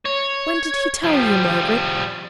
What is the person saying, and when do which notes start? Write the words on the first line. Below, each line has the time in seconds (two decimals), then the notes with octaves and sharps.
'When did he tell you, Margaret?'
0.06 C#5
1.04 F3 G3